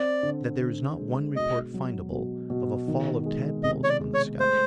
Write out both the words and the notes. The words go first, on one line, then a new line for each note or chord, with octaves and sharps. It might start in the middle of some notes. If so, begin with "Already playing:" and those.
That there is not one report findable of a fall of tadpoles from the sky.
Already playing: C4 D5
D3
D3
G#3
B2 D#5
F#3
B2
B2
D#3
G#3
C3 D#5
C#5
D5
G#3
C#5
A3 C5